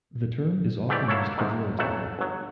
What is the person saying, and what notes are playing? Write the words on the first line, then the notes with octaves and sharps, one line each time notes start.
The term is often used pejoratively.
G#2 E3 A3 G4 D5
F#3 A#3 E4 A4 C#5
G#2 C3 D#3
B1 F2 F#3 A3 F#5 A5
G1 F#3